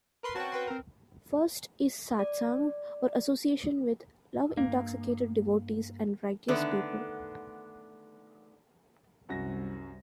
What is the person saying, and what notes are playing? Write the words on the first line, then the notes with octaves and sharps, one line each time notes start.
First is "satsang" or association with love-intoxicated devotees and righteous people.
A#4 B4 C6
C4 C#4 F#4 G5 A5
B4 G5 C6
C4 A#4
D5
G2 A#3
D3 D#3 A3 B3 D4
C2 F#2 F#4 A#6